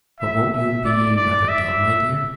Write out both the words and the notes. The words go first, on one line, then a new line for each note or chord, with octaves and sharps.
"But won't you be rather dull, my dear?"
E5
E5
D5
D5
E5